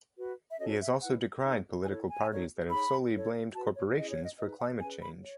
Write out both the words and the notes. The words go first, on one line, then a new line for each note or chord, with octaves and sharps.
He has also decried political parties that have solely blamed corporations for climate change.
F#4 B4
E5
C#4 F#4 A4 C#5 D#5
E5
E4 B4 F#5
D#4 A4 C#5
E4 A4 C#5 G#5
G#5
D#4 A4 C#5
D#4 G#4 C#5 B5
E4 A4 C#5
F#4 B4 A5
C#5
C#4 E4 G#4 D#5
C#5
D#5
D#4 G#4 B4 D#5
F#5
C#4 G#4 B4 G#5
B5
C#5